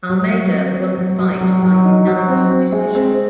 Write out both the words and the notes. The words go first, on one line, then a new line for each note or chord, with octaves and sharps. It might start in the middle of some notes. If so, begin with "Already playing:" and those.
Almeida won the fight by unanimous decision.
F#3
F#3
C4
C4
F#3
F#3
F#3
F#3
D#4
F#3
C4
C4
G#3
C4